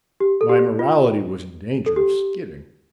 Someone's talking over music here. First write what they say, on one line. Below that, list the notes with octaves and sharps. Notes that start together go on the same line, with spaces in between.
My morality was in danger of skidding.
G4
A4
G4
F4
A4
G4